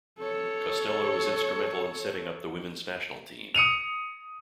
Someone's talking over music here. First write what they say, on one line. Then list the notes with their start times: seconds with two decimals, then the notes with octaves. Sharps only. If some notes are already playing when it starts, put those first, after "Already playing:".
Costello was instrumental in setting up the women's national team.
0.19 A4 C#5
3.54 D#6 C#7 D#7 F7